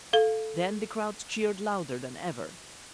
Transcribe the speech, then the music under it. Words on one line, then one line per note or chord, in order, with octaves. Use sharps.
Then the crowd cheered louder than ever.
A4 F5